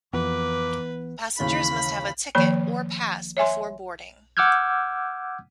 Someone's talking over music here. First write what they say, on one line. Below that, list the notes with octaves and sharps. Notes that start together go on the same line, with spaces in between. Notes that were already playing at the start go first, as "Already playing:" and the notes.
Passengers must have a ticket or pass before boarding.
F2 E3 A#3 B3 B4 D6
D#2 C#3 E3 B5
D#3 F3 A#3 C#5 B5
C#5 E5 G#5 C6
F#5 D6 E6 F6 G6 G#6